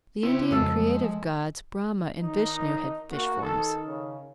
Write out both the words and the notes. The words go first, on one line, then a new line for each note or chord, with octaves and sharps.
The Indian creative gods Brahma and Vishnu had fish forms.
C#3 C4 E4 C6
F2 G#3 A#3 A4 F5
F3
D#3 D#4
A#3 F#4
D#3 A4
C#3